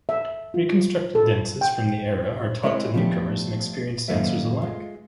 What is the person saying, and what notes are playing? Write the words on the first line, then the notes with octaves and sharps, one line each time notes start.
Reconstructed dances from the era are taught to newcomers and experienced dancers alike.
E5
F4
A4
G5
G#3 C4 E4 A#4 C5 C#5
F3 G3 A3 B3 G4
F#2 D#3 A#3 A4 B4 E5
G#3 F4